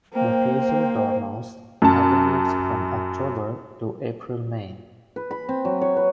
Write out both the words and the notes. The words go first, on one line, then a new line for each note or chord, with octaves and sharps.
The hazel dormouse hibernates from October to April-May.
A#3 C5 G5
F#2 A5
B4
B5
C4
F#3
C#5
B4